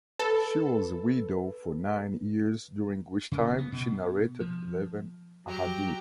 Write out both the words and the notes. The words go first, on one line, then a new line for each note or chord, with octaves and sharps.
She was a widow for nine years, during which time she narrated eleven "ahadith".
A4 B4
C#3
B3
B2
F3
F#3 G4 A#5